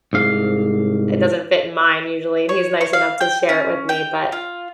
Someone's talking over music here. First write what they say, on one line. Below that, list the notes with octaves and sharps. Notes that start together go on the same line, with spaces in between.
it doesn't fit in mine, usually, and he's nice enough to share it with me, but
C2 G#2 F5
C#5
C#5
F5
G5
C#4
G5
F4